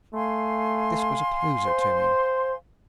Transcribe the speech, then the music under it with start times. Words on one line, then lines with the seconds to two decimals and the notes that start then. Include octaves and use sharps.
This was a poser to me.
0.14 A3 F5 G#5 C6
1.67 C5